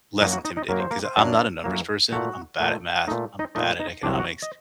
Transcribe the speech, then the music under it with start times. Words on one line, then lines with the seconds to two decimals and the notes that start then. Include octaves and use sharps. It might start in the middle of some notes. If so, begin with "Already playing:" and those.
less intimidating, 'cause I'm not a numbers person, I'm bad at Math, I'm bad at Economics,
0.21 F#2 F#3 A#3 D#4 D#5
0.32 F#4 F#5
0.45 D#4 D#5
0.57 D#4 D#5
0.69 F#2 F#3 A#3 A#4
0.80 C5
0.91 A#3 A#4
1.05 C5
1.17 F#2 F#3 A#3 D4 D5
1.64 F#2 F#3 A#3
2.12 A#2 A3 F#4 F#5
2.60 A#2 A3
3.08 A3 D#4 D#5
3.11 A#2
3.39 D#4 D#5
3.55 A#2 A3 D#4 D#5
3.80 D#4 D#5
4.03 C2 C3 F#3 D4 D5
4.19 F#4 F#5
4.42 D#5